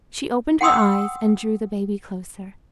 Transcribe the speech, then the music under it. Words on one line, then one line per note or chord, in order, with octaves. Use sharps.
She opened her eyes and drew the baby closer.
F#5 G5 C6 D#6 E6